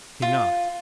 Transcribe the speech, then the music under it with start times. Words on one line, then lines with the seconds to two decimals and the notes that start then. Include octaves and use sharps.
He knocked.
0.22 F4